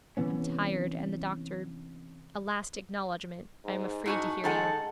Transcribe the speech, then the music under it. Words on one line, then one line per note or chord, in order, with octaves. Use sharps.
I'm tired, and the doctor--A last acknowledgment: I am afraid to hear you.'
C3 E3 B3 C#4
G#2
A2 D#4 F#4 G#5
D#3 G#3 A4 F#5